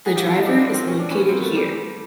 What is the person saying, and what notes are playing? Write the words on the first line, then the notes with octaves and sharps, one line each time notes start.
The driver is located here.
F#4 G#4
F4 G4
E4 F#4
D#4 F4
D4 E4
C4 D4
A#3 C4
C#4
D4
B3 C#4
A#3 C4
A3 B3
G3 A3